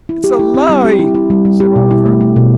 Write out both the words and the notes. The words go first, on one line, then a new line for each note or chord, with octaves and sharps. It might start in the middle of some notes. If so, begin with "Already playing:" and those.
'It's a lie!' said Oliver.
E4
G4
E4
C4
G3
G4
E4
E4
G3
G3
G4
B2
E4
A3
A3
B2